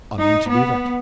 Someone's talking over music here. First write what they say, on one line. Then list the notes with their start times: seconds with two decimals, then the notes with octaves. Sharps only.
'I mean to do that.
0.21 D#4
0.52 B3